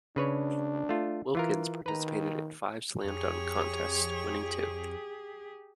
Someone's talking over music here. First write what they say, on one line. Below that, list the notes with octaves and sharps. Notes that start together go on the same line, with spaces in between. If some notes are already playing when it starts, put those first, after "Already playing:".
Wilkins participated in five slam dunk contests, winning two.
C#3 D4 B4 C#5
A3 F4
E3 F4 A#4
D#3 B4 A#5
F2 G4 G#4 C#5 F7